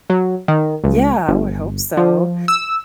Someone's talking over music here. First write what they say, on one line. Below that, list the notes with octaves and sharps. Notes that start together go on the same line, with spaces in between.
Yeah, I would hope so.
F#3
D#3
C#2
G1
F3
E6